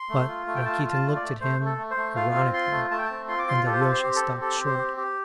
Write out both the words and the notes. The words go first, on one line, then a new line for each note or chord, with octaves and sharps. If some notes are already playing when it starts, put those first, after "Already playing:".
But Rakitin looked at him ironically and Alyosha stopped short.
Already playing: C6
A3
F4
A3
G5
F4 A5
F4
A5
A3
D5
A3
A3 C5
A3
A4
A3
C5
A3
F4 F5
C4
F4 C6
A3
A3 A5
G5
C4 A5
F4 C6
D6
F4 C6
G4 A4
C5
A4
C4
C5
G4
A4
C4
G4 A4
C4
C5
G4
G4